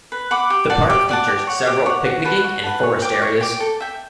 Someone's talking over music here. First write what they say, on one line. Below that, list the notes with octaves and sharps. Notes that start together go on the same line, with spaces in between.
The park features several picnicking and forest areas.
B4
F#5 B5 D6
G4
D5 F#5 A5
G4
D5 F#5 A5
G4
C#5 F#5
G4
C#5 F#5
F#4
B4 F#5 A5
F#4
B4 F#5 A5
C#5
G5 D6
C#5
G5 D6
A4
E5 G5